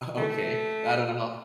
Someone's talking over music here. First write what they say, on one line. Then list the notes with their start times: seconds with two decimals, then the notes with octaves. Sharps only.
Okay. I don't know.
0.18 A3